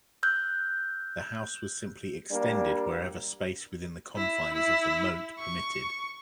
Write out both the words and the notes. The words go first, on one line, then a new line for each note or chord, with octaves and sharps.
The house was simply extended wherever space within the confines of the moat permitted.
E6 F#6 G6
G3 A#3 D4
E4
E4
C#6